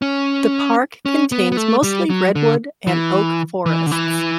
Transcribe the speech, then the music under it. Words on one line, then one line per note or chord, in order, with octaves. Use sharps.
The park contains mostly redwood and oak forests.
C#4
C#4
B3
B3
A3
G3
F#3
D3
E3
E3
D3
E3